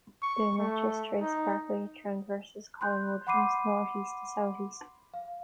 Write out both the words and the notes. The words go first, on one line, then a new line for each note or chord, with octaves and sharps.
The Natchez Trace Parkway traverses Collinwood from northeast to southwest.
C#6
A3
D#4
C6 F#6 G6
F#5 B5 C6 D6 C7 D#7
F5